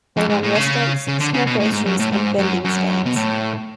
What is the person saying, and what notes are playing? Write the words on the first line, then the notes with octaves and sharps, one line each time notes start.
They run restaurants, small groceries and vending stands.
F2
G#2
A2
C#3
C#3
D3
C#3
B2
A2
G#2
F#2
A2
G#2
F#2
F#2
B2
A2